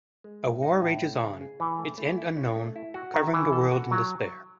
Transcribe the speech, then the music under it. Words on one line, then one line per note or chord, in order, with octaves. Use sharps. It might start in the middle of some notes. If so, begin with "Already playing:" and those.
A war rages on, its end unknown, covering the world in despair.
G#3
A2
D#4
A2
A3
C#3
G#4
E3
A3
A3
E4
C#4
A3
E4
F#4
D#3
E3
A4
F#4
F#3